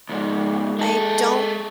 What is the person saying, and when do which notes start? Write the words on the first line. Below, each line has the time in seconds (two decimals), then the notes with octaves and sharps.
I don't
0.09 C#2 G#2
0.79 G#3 A4